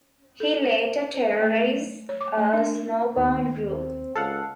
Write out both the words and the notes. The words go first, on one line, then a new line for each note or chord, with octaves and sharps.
He later terrorizes a snowbound group.
A4
C5
C5
A3
C#5
D6
A3
D4
A#4
D#2
C4
C#2 A4 F5 F#5